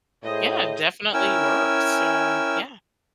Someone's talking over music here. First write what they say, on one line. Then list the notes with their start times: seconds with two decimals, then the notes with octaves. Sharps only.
Yeah, definitely works. Um, yeah.
0.23 A2 G#4 C5 D#5
1.13 C#4 E4 A#4 G5 G#5 E6